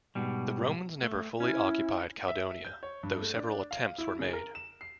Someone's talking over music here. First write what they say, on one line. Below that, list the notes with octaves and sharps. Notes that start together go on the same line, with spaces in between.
The Romans never fully occupied Caledonia, though several attempts were made.
G#2 B2 G3
A3
C#4 E4
E5
G6
C#5
G2
A3
D4
F5
E4
C#3
A#4
E7
C7